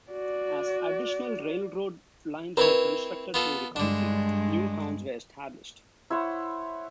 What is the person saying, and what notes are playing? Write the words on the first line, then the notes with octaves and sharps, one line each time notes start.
As additional railroad lines were constructed through the county, new towns were established.
F#4 D5
C4 E4 A#4 B4 C#5
B3 F4 A4
G2 D3 G#3 D4
E4 C5 C#5 F#5